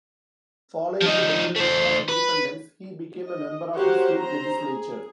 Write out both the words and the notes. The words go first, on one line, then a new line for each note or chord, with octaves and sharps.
Following the declaration of independence, he became a member of the state legislature.
F3 D#4
A3 C5
B4
D#5
F#4 G4 A#4 C5 C#5 F#5
C4 C5 A#5
G#4